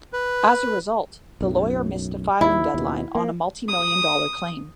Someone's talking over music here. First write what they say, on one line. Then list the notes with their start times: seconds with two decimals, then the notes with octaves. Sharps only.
As a result, the lawyer missed a filing deadline on a multimillion-dollar claim.
0.13 B4
1.41 B1 F#2 A2
2.41 D#2 E4
2.74 D#2 B2
3.15 A#3
3.68 D#6